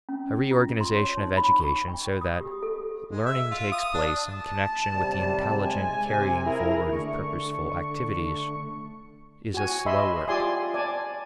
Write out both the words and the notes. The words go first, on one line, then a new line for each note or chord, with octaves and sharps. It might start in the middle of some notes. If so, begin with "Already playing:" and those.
A reorganization of education so that learning takes place in connection with the intelligent carrying forward of purposeful activities is a slow work.
C#4
F4
C6
C#5
D#4
B5
C#6
G5
D#6
G4
A4
G#3
E5
F4
D#6
D4
A5
D#2 C3 G3
G#3 G#5
C3
E4 G#4 A#4
D3 A3 C#6
F#4 G#5
D#5 E5 B5 C6
F4 G4 D5 G#5 C6 D#6
D5 G#5 A5